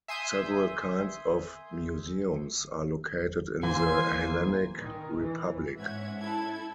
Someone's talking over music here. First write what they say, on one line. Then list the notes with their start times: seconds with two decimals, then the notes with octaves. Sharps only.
Several kinds of museums are located in the Hellenic Republic.
0.08 E5 G#5 C6 D#6 G6
3.63 E3 A#3 C5 G#5
4.78 D#3
5.17 E3
5.77 G#2 C#4 E5 F#5 G#6
6.19 E4 A4 G#6